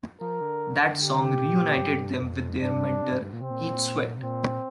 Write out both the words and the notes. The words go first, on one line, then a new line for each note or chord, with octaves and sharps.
That song reunited them with their mentor Keith Sweat.
F3 A#4
D3
G4
C3
A#2
A#2
F2
G2
F2
G2 D4
G2
G2
C3
G2
G2
A#2
C3 C4
A#2
C3
A#2 C4